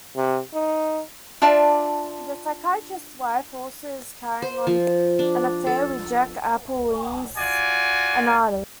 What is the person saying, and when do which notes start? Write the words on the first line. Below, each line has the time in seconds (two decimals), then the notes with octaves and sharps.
The psychiatrist's wife also is carrying on an affair with Jac Applezweig, an artist.
0.17 C3
0.54 D#4
1.42 D4 F4 D5 E5 A5
4.42 C5
4.67 F3
5.19 D4
5.67 A4
7.37 F4 F#4 D5 G#5